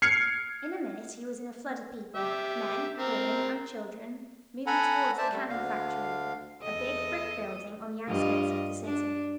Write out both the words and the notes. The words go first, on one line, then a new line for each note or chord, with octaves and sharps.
In a minute he was in a flood of people, men, women and children moving towards the canning factory, a big brick building on the outskirts of the city.
F6 G#6 C7 C#7
G4 E5
C4 A#4
A4 F#5 G#5 A#5 B5
C5 D5 E5 A5
G3 A3
D2 D3 F5
E2 A4 D#5
G2 F4 D#5
D4